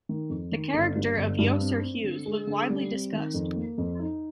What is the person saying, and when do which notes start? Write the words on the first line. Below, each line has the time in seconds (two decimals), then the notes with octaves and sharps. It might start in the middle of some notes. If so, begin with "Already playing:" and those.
The character of Yosser Hughes was widely discussed.
0.09 D#3
0.30 F2
0.52 D#3
0.74 G1
0.95 G2
1.17 G1
1.39 G2
1.60 C4
1.82 C4
2.04 D3
2.26 G#3
2.47 D3
2.69 G3
2.91 C4
3.13 D#3
3.34 F2
3.56 A#3
3.78 F2
3.99 D#4